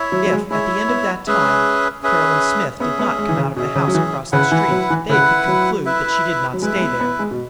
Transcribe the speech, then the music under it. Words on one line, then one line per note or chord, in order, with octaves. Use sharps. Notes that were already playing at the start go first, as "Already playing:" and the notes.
If, at the end of that time, Caroline Smith did not come out of the house across the street they could conclude that she did not stay there.
Already playing: E4 C#5 E5
F#3
F#3
G#3
G#3 E4 C#5 E5
B3
G#3 C#4 G#4 B4 E5
C#4 G#4 B4 E5
B3 C#4 G#4 E5
B3
G#3
E3
C#3
B2 C#4 G#4 E5
C#3
F#3
E3
C#3 E4 B4 F#5
E3
F#3
E3
C#3 E4 B4 F#5
F#3
E4 B4 E5
F#3
G#3 E4 B4 E5
G#3
B3
B3
G#3
B2